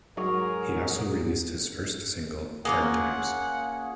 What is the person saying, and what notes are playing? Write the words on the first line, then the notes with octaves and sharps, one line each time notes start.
He also released his first single, "Hard Times".
G#2 F#3 G#4 A#4 C#5
A#3 C#4 F4 G#4 F#5 D6 D#6